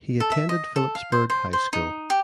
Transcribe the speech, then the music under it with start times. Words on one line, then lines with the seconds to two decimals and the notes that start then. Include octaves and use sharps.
He attended Phillipsburg High School.
0.20 A4
0.32 E5
0.49 D#5
0.76 A4
0.95 F5
1.12 C5
1.30 C5
1.53 C5
1.73 D#4
2.10 G4